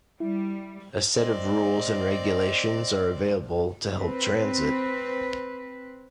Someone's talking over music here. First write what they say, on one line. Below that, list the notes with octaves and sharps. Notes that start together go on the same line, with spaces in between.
A set of rules and regulations are available to help transit.
G3 E4
C4 D5 D#5
C4 B4